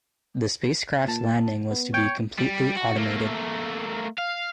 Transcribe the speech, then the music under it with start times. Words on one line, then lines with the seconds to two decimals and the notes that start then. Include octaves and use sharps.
The spacecraft's landing was to be completely automated.
1.08 A#2 A5
1.71 B3
1.94 C#5 G5
2.39 G3
2.76 F#4
2.97 A3 A#3
4.18 F5